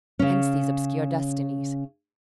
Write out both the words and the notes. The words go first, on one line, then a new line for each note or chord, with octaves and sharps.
Hence these obscure destinies.
C#3 C#4